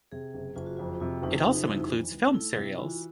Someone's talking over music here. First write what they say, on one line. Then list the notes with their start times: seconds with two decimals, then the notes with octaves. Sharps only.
It also includes film serials.
0.12 C3 G#4
0.34 F#1
0.56 F#1 F4
0.66 F#4
0.77 F2 F4
1.00 C3 F4
1.23 F#1 D#4
1.45 F#1 D#4
1.67 F2 E4
1.89 E3
2.12 C#2
2.33 A3 E4
2.56 C3
2.78 E3 F4
2.89 F#4